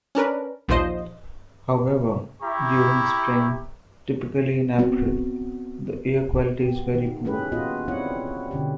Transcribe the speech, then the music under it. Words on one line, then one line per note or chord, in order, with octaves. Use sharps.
However, during Spring, typically in April, the air quality is very poor.
C#4 D4 A#4 B4
A#1 D#2 A#2 F3 C5 D#5
E4 G4 A#5 C#6
B3 C4 F#4
B3 G4
D#3
D#3 C#4 E4 G4 G#4 B4
A#2 B3 F4 F#4 D#5
B3 C4 D4 E4 C#5 F#5
B2 D3 C#4 G4